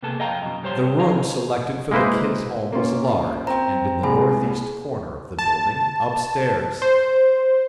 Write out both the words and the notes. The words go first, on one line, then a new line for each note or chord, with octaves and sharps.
The room selected for the "Kid's" home was large, and in the northeast corner of the building, upstairs.
C3 A#3 B3 G#4 A4
F2 D#5 F5 G5 A#5
F#2 B2
G2 G3 G4 C5 C#5 C6
D4 D#4 G#4 F5
G#3 A#3 E4 B4 C5
A#3 C#4 F4
C4 G5 A#5
C2 G#3 G#4 G#5 B5
A5
C5